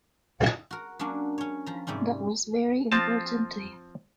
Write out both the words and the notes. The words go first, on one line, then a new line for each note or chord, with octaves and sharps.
That was very important to him.
F#4 A#4
F#3 A#3 C#4 D4 F#4
C#4 C#5
F3 A#5
G#2 C3 G3 C4 C#4
F3 C4 F4 A5